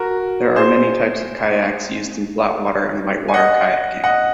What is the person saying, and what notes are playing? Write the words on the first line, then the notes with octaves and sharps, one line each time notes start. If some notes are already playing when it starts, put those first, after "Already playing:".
There are many types of kayaks used in flat water and white water kayaking.
Already playing: F#4 A#4
G#4 C5
G#5
D#5 F#5
D#5 F#5